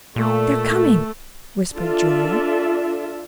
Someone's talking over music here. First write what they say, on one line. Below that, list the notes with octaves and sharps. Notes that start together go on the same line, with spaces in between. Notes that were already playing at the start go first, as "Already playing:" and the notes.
"They're coming," whispered Julia.
A#2 A3
D4 F4 A4 D5 E5